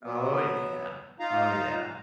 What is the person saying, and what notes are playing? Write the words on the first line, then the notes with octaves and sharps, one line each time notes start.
Oh, yeah. Oh, yeah.
F#3 B3
D#4 F4 F5 A#5